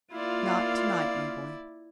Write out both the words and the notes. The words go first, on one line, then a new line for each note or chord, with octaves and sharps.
"Not tonight, my boy."
A#3 E4 F4 D5 F5